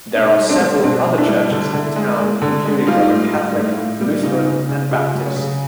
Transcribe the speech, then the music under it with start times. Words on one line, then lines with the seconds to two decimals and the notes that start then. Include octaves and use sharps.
There are several other churches in town including Roman Catholic, Lutheran and Baptist.
0.15 B2 C#4 D#4
0.38 G3
0.49 C4 D4
0.60 G3
0.83 B2 C4 D4
1.05 B2
1.18 D4 E4
1.28 G3
1.51 D3
1.73 D3
1.96 G#3
2.19 G#3
2.42 D3
2.65 G#3
2.87 G3 D#4 F4
3.10 A2
3.33 G3
3.55 A2
3.77 A2
4.01 G3
4.23 C#3 D#4 F4
4.46 C#3
4.69 C#3
4.91 C#3 F4 G4
5.14 F#3
5.26 C#4
5.36 C#3